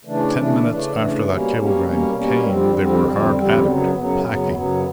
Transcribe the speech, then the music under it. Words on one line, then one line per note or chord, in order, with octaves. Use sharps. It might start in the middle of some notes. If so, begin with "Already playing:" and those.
"Ten minutes after that cablegram came they were hard at it, packing."
C#3 E3 A3 D4
C#3 E3 A3 D4
C#3 E3 A3 D4
C#3 E3 A3 D4
B2 G3 A#3 C#4
B2 G3 A#3 C#4
B2 G3 A#3 C#4
B2 G3 A#3 C#4
F2 D3 G3 C4
F2 D3 G3 C4
F2 D3 G3 C4
F2 D3 G3 C4
F#2 C#3 F#3 B3
F#2 C#3 F#3 B3
F#2 C#3 F#3 B3
F#2 C#3 F#3 B3